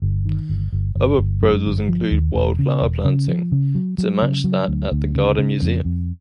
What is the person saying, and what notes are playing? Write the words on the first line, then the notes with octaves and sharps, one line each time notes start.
Other proposals include wildflower planting to match that at the Garden Museum.
G1
D#3
G1
G1
G1
G1
F#2
G1
F3
D#2
E1
C#3
E1
C#3
F3
C#3
F#3
F#3
C#3
F#3
D2
D2
C#3
C#3
F2
F2